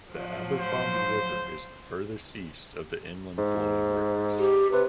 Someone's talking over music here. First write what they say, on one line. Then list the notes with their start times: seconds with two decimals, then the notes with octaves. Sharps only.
The Abercrombie River is the furthest east of the inland flowing rivers.
0.10 A2 F3 F#3
0.59 C5
3.38 G#2
4.39 G4
4.72 C3 B4